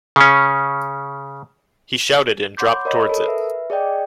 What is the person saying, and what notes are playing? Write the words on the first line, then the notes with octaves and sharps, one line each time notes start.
He shouted and dropped towards it.
C#3 C#4
C#5 F#5 B5 C6 D6 G6
A#4 C#5 D#5 B5
A4 A#4
B4 E5
G#4 D5 D#5 G5